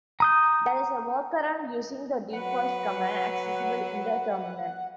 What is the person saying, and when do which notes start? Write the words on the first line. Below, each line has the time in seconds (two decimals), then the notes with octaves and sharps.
There is a workaround using the defaults command accessible in the Terminal.
0.20 A#5 D#6 G6
2.33 F#3 B4 F#5